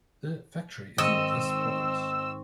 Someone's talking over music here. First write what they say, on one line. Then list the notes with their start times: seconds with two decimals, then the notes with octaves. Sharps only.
The factory is in this province.
0.98 G#2 D#3 C4 D#5 C#6 E6